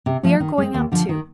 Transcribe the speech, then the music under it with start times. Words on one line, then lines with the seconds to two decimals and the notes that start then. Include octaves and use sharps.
We are going out, too.
0.06 C3
0.23 F3 A3
0.40 D#3
0.58 G#3 C4
0.74 D#2
0.92 D3 F3
1.09 D#3